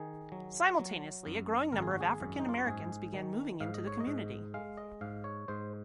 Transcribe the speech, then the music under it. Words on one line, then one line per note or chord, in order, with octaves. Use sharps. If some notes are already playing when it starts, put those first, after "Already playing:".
Simultaneously, a growing number of African Americans began moving into the community.
Already playing: D#3 G#4
F#3
F#3
F#2
G#1 A#4
G#4
F#4
G#4
F#2
D#4
F4
F#4
G#2 G#4
D#3
G#2 F5
D#5
C#5
D#5
G#2
G#3 F5
D#5
G#2 F5
C#5
G#2 C5